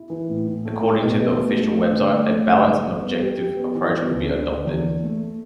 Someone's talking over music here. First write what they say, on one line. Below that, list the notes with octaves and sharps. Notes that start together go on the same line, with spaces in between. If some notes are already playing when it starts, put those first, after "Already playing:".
According to the official website, a balanced and objective approach would be adopted.
Already playing: E4
E3
A2
A2
A3
A2
B2
B2
A3
A3
D4
D3
A3
A3
D3
G2
G2
B3
G4
G4
B3
E3
B3
D2
D3
D3
E2
E2
A3
A3